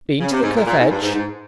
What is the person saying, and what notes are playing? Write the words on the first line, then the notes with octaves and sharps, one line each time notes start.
"Been to the cliff edge?"
C#3
C3
G#2
A#2
A#2
G#2
G2
G#2
G#2